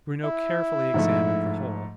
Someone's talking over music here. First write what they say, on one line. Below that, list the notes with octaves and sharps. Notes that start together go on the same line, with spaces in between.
Bruno carefully examined the hole.
E4
G#2 F3 A3